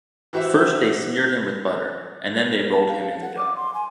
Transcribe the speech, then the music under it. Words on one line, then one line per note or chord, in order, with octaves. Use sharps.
First they smeared him with butter, and then they rolled him in the dough.
E3 F#4 G4 C5 E5
A#4
A5
F5
F#5
D6
C6
G#5